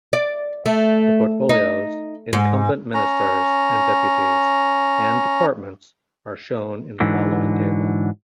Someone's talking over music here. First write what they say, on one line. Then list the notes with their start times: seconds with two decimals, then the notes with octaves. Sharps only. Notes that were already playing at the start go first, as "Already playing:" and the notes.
The portfolios, incumbent ministers and deputies, and departments are shown in the following table.
0.13 D5
0.66 A3
1.49 D#4
2.33 G#2
2.94 C#4 A#5
7.00 G#2 D3 E3 F#3